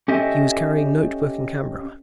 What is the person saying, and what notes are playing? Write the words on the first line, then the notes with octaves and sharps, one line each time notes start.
He was carrying note-book and camera.
C#4 G4 A4 D#5 E5